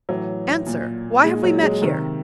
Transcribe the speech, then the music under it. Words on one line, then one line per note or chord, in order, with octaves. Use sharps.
Answer: why have we met here?
A2 E3 F#3
A#2
A#2 G#3
F#3
G#3
C3 D#3